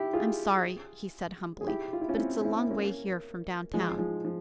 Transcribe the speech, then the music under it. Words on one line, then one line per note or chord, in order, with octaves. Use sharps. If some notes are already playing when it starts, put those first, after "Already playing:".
"I'm sorry," he said, humbly; "but it's a long way here from downtown."
Already playing: E4 G4
F4 G#4
G#4
E4 G4
F4
E4
C#4 F4
C4 E4
C#4
C4 E4
A#3 C#4
F3 G#3
F3 G#3
F3